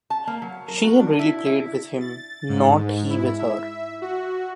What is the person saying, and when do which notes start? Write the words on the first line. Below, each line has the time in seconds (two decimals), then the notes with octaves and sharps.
She had really played with him, not he with her.
0.10 A5
0.27 A#3
0.42 F#3
0.68 A#4
0.84 F#4
0.99 D4
1.19 E4
1.46 E4
2.00 A6
2.49 G#2
3.10 E4
3.39 E5
4.02 F#4